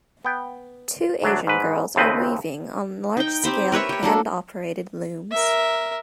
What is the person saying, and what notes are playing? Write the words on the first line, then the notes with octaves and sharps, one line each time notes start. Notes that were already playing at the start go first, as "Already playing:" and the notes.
Two Asian girls are weaving on large scale handoperated looms.
B3 G5
D2 F#3 D4
G#2 B4
D#2 C#3 A3 C4 B4 D#5
D#4 G5
C4 G4 C5 B5
A#4 B4 C#5 E5
G4 C#5
F#3 A#3 D4 A4
A#4 E5